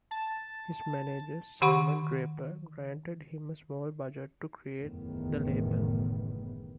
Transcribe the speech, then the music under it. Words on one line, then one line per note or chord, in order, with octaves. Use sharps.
His manager, Simon Draper granted him a small budget to create the label.
A5
D#3 G4 F#5 B5 C#6
F#1 E2 A2 D#3 B3